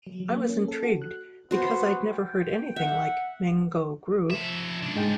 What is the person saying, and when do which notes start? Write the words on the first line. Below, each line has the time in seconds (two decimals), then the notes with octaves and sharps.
I was intrigued because I'd never heard anything like Mango Groove.
0.07 F#3
0.20 F#3
0.33 A#3
0.49 C#4
0.68 A4
0.83 F#4
1.02 F#6
1.51 B3 F#4 C5
2.11 G5
2.76 E5 F#5
4.31 F3 E5
4.83 C#2 D4
4.96 G#2 G#3 G5